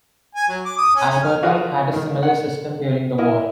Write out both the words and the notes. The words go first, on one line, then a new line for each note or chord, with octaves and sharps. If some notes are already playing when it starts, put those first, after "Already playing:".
Alberta had a similar system during the war.
G#5
F#3
D6
D#6
C#4
C#4
F6
F4 F#4 G#4 A#4 B4 F5
D#3
F#5
E4 A#4 D#5